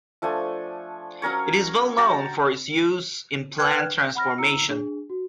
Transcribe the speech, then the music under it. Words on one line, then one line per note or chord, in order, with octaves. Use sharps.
It is well known for its use in plant transformation.
F3 A3 D4 G#5
F#3 C#4 A#4 C#5
F#4 G5 A5 A#5
B4 D5 G5 F6 F#6 G#6
G6
F#5 B5 F6 A#6
E4 A#5 E6 C#7
D4 G#4
F#4